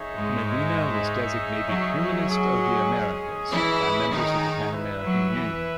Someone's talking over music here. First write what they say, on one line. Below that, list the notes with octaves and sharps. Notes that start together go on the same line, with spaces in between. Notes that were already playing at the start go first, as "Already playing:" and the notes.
Medina was designated "Humanist of the Americas" by members of the Pan American Union.
Already playing: D#4 G#4 C#5 E5
G#2 G#3
F#3
F#3
G#3 C#4 G#4
E3 E4
D#3 D#4
E4 B4 E5
F#3
E3